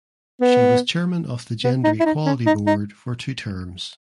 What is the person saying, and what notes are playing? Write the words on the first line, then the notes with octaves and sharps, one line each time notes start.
She was chairman of the gender equality board for two terms.
B3
B3
D#4
E4
D#4
C#4
D#4
D#4